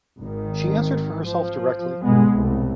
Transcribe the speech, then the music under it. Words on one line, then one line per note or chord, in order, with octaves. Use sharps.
She answered for herself directly.
G#1 D#3
F3
G1 B2 G#3 B3
C2 A2